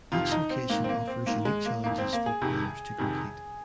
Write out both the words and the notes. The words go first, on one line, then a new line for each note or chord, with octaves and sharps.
Each location offers unique challenges for players to complete.
F2 C3 D#3 F4
D#4
C4
G#2 D#3 A#3
C4
A#3
C4
G#2 D#3 A#3
G#3
A#3
F2 D#3 A#3
C4
A#3
G#4
F2 C3 D#3
F2 C3 D#3